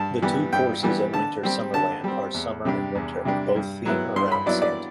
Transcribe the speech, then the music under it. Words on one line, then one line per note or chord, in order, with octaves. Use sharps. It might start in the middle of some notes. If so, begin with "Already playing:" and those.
The two courses at Winter Summerland are Summer and Winter both theme around Santa.
Already playing: G2 A5
E3 G3 B3
G2 G5
E3 G3 B3
D3 A5
G3 C4
D3 A5
G3 C4
E2
C3 G3 D4
E2
C3 G3 D4
G2
F#3 B3 E4
G2 C6
B5
F#3 B3 E4 D5
D5